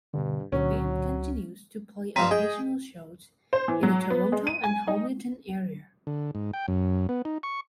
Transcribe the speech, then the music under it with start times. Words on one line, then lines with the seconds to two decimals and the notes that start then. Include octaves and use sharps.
The band continues to play occasional shows in the Toronto and Hamilton area.
0.14 G2 B2 D3
0.52 C#2 A#2 D3 F#3 C#4
2.16 G2 F3 C4 A#5 B6 D#7
2.31 G#4 D#5 G5
3.53 C5
3.68 E3
3.83 F#3
4.10 B3
4.32 G#3
4.47 D#7
4.64 G#5
4.87 D#4
6.07 D3
6.35 G#2
6.54 G5
6.68 F#2
7.09 B3
7.25 D#4
7.43 C#6